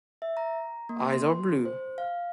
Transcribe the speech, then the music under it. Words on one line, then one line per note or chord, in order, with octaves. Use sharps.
Eyes are blue.
E5
A#5
A#3
C6
C5
F5